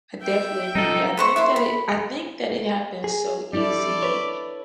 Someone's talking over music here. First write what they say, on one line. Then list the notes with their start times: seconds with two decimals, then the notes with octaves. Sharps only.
I definitely agree, I think that it I think that it happened so easy.
0.22 E5 G5
0.75 G3 C#4 D#4 A4
1.17 B4 C5 C#6
1.36 E4 E5 C6
1.56 B5
3.04 G#4
3.53 G3 D4 E4 A4 D5
4.03 B4 C#5